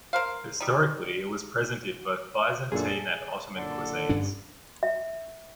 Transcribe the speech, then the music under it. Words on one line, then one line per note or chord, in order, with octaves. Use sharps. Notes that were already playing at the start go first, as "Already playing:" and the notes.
Historically it was present in both Byzantine and Ottoman cuisines.
A#4 C5 F5
G3 D#4
F#2 A#2 D4 G#4 A4
A6 C7
F#1 A#2 D3 A4
G2 C#4 D4
E5